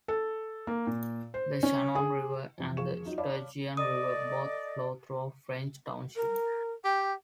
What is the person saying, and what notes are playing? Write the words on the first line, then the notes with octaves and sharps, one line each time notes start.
The Shannon River and the Sturgeon River both flow through French Township.
A4
A#3
A#2
C5
C#4
G#4
F2 C3 E3
F2 G#4 F5 C#6 E7
F#3 D#4 F4
C#5 D5 F5 A5 B5 D6
A4 D5 D#5 D#6
A#4
G4 G5